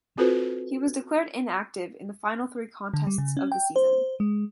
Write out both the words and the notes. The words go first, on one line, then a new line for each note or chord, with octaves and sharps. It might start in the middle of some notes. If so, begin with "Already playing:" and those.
He was declared inactive in the final three contests of the season.
C4 F4 F#4 A4 B4 C5
D3
G3
C#3
C#4
G5
C5
G#3